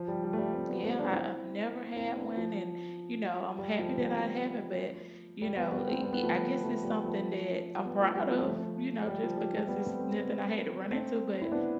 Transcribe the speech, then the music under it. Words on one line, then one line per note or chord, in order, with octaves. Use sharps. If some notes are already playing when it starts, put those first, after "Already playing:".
Yeah, I I've never had one and, you know, I'm happy that I haven't, but, you know, i i I guess it's something that I'm proud of, you know, just because it's nothing I had to run into, but
Already playing: F3
G3
G3
A3
G3
A3 C4
G3 B3
A3 C4
B3 D4
D4
C4 E4
C4 E4
B3 D4
F3
G3
F3 A3
C4
G3 B3
F3 A3
G3
G3 B3
G3 B3
A3 C4
G3 B3
B3
F3 A3
F3 A3
G3
F3 A3
G3 B3
F3 A3
G3
F3 A3
G3
F3 A3
G3
F3
G3
F3 A3
G3 B3
A3 C4
A3 C4
G3 B3
A3 C4
E4
B3 D4